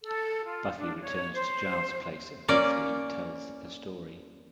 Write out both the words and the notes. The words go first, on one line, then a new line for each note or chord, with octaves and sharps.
Buffy returns to Giles' place and briefly tells the story.
A4
F4
D4
C#5
C5
A#3 C#4 D5